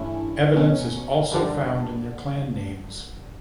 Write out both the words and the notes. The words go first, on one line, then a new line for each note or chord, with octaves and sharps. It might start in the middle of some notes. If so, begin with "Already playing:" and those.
Evidence is also found in their clan names.
Already playing: G2 E3 A3 C#4 E4
B2 F#3 C#4
F#2 D3 G3 D4